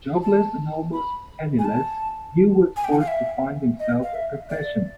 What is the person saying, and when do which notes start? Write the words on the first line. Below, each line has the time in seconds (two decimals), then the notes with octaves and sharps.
Jobless and almost penniless, Yu was forced to find himself a profession.
0.23 A5
0.93 B5
1.59 G#5
1.65 A5
2.77 G#5
2.84 G5
2.93 F#5
3.00 F5
3.08 E5
3.80 D#5
4.03 F5
4.14 E5
4.50 D5